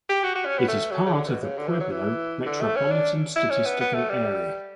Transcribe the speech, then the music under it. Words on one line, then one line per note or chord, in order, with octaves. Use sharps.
It is part of the Pueblo Metropolitan Statistical Area.
G4
F#4
F#4
C#4
B3
A3
F#3
C#3
D3
B2
C#3
D3
E3
F#3
E3
D3
A3
C#4
D4
E4
C#4
B3
B3
A3
G3